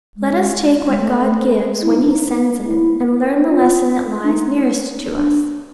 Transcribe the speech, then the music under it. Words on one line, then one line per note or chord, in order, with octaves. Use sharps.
Let us take what God gives when He sends it, and learn the lesson that lies nearest to us.
G#3
G#3
A3
E4
D#4
D4
D#4
E4
F4
D4
D#4
D4